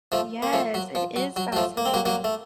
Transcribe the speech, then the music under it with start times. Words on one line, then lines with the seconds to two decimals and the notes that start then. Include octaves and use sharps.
Yes, it is fascinating.
0.12 F3 A3
0.42 A#3
0.53 F3 A3
0.74 F#3
0.95 F3
1.16 F#3
1.36 F#3
1.52 F#3
1.56 F3 A3
1.77 A#3
1.86 C4
1.94 F#3 A#3
2.05 F#3 A#3
2.24 A3